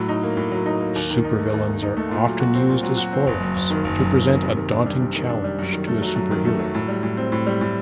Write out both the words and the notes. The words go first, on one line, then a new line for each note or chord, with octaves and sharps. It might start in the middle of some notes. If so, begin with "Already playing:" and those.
Supervillains are often used as foils to present a daunting challenge to a superhero.
Already playing: A2 F#3
D#4
A#3
A2
F#3
D#4
A#3
D#2
D#3
D#4
A3
D#2
D#3
D#4
A3
A#2
F#3
F#4
C4
A#2
F#3
F#4
C4
F#1
F#2
F#1
D#3
F#1
F#2
F#1
D#3
C3
D#3
D4
G3
C3
D#3
D4
G3
F#2
D#3
A3
F#3
F#2
D#3
A3
F#3
A2
G3
A2
C4
A2
G3
A2